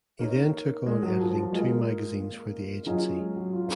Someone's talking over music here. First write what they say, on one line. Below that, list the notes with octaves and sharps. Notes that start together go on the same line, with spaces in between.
He then took on editing two magazines for the agency.
A#3 D#4 A#4 C#5
G#3
F#3
F3
F3
F#3
G#3 A#3 F4 G#4 D#5
A#3
F#3 C#4 F4 G#4 D#5
G#3
F#3
F4